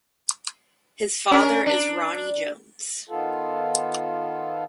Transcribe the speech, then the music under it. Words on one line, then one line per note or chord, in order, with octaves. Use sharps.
His father is Ronnie Jones.
C#4 D4 A#4
D4
D#3 B3 F4 A4